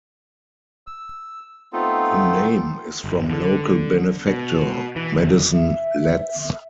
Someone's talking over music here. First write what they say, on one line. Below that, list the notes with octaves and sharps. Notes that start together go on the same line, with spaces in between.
The name is from local benefactor, Maddison Letts.
E6
A3 B3 C4 D#4 F4 A4
G1
D3
B2
E3
F#1
E5